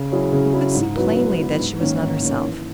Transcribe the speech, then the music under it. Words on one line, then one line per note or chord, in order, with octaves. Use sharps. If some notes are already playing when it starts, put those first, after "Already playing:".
He could see plainly that she was not herself.
Already playing: C#3
F#3 C#4 E4 G#4
C#3
F#3 C#4 E4 G#4
G#2
F#3 B3 E4 B4
G#2
F#3 B3 E4 B4
G#2
D#3 A#3 C#4
G#2
D#3 A#3 C#4
E3